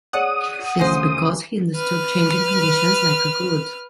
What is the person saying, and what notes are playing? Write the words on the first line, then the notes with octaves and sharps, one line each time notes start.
This is because he understood changing conditions like a good.
G#4 C#5 D5 F#5 D#6
D2 C#3 G#4 C5 A#6
B4 F6